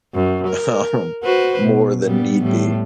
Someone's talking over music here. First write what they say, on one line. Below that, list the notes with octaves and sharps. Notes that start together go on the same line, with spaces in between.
um, more than need be,
F#2
A#4
F#4 B4 C5
B2
A#2 G3 B3
A2 G3